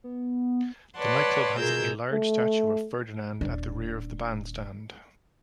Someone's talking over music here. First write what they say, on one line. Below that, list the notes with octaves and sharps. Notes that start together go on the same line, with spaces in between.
The nightclub has a large statue of Ferdinand at the rear of the bandstand.
B3
B4 C#5 D5 F#5 A5 C6
B2 F4 G#4 A#4 E6 G6
A3
D#1 D4